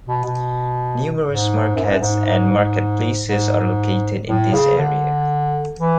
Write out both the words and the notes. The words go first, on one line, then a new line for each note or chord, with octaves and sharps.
Numerous markets and marketplaces are located in this area.
B2
B2
G#2
F#2
G#2
F#2
G#2
G#2
G#2
G#2
A2
C#3
D3
E3